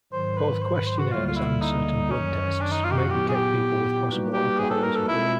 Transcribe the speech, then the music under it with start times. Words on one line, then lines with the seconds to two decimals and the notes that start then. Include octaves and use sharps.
Both questionnaires and certain blood tests may detect people with possible alcoholism.
0.12 G#2 D#3 F#3 C5
0.37 B4
0.62 C5
0.74 B4
0.87 C5
0.99 F#4
1.11 D2 D3 G3 A#3 F4
1.26 F4
1.36 E4
1.61 D#4
2.10 F#2 D#3 F#3 C#4
2.61 D4
2.72 D#4
2.85 F4
2.91 G4
2.97 F#4
3.10 A#2 F#3 B3 E4 G4
3.28 G#4
3.35 G4
4.09 G3 A#3 D#4 F#4 B4
4.33 G4
4.59 G#4
4.70 A4
4.83 A#4
4.95 A4
5.08 B2 G#3 C4 E4 F4